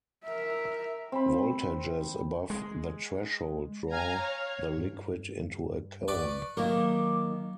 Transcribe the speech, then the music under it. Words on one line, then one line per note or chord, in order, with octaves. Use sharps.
Voltages above the threshold draw the liquid into a cone.
A#4 E5
C4 B5
G#3
F5 G#5 A#5
C#5
G2
B4 D5 C#6 D6
D#3 F#3 A#3 A#4 D6